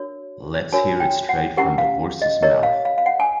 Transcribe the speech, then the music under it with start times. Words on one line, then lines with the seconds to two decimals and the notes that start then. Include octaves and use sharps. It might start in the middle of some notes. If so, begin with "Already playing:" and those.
Let's hear it straight from the horse's mouth.
Already playing: D4 F#4 A#4 C#5
0.72 D4 F#4 A#4 C#5 G#5
1.00 G5
1.29 F#5
1.57 C#4 E4 G4 A#4 F#5
1.78 F5
2.22 D#5
2.42 E4 G4 A#4 C#5 D#5
2.63 F5
2.85 F5
2.98 F5
3.06 F#5
3.20 G#5